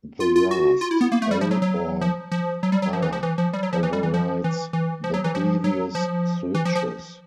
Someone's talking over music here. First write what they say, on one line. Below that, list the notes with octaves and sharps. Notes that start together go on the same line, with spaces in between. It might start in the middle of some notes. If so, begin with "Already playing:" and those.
The last 'l' or 'r' overrides the previous switches.
F4
F4
F#4
F4
E4
B3
A#3
A3
G3
F3
F#3
F#3
F3
F3
F#3
G3
F#3
F3
E3
F3
E3
F3
G3
F#3
F3
E3
G3
E3
F3
E3
E3
F3
F#3
E3
F3
F#3
F3
E3
F3
F3